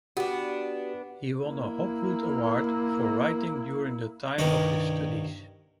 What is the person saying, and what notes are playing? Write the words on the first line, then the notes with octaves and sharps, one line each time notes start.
He won a Hopwood Award for writing during the time of his studies.
B3 D4 F#4 G4
A#3 E4
C2 G2 D#3 G3 C#5 D#5